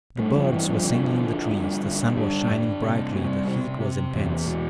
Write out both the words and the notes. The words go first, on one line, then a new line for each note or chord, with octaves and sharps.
The birds were singing in the trees, the sun was shining brightly, the heat was intense.
G2 A3
F3
G2 E3
F3
D3
D3
G2
D3
G2 G3
G2
C3
C3
C3
C3
E2
B2